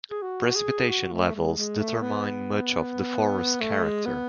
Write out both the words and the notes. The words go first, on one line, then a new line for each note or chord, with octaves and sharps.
Precipitation levels determine much of the forest character.
G#4
F#4
G#4
F#4
A3
G#3
G#3
A3
B3
A3
G#3
B3